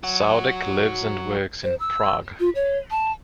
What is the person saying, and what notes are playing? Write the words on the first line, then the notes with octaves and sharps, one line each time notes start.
Saudek lives and works in Prague.
F#3 F#4
C5
E6
F4
C#5
A5